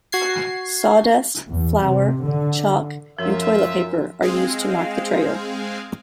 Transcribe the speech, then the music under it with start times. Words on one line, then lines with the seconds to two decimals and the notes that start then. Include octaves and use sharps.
Sawdust, flour, chalk, and toilet paper are used to mark the trail.
0.12 F#4 G#6 C7
1.48 E2
1.82 C3
2.24 D3
3.19 F#2 F3 F4 E5
4.22 G#3 C4 G#4 F5